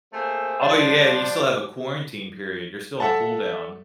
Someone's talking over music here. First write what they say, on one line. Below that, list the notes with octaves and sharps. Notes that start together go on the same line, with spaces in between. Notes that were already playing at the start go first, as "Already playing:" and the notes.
Oh, yeah, you still have a quarantine period. You're still on cool down.
A3 A#3 C4 G#4 C5
F3 G3 D4 D5 C6
A4 E5 F#5 A5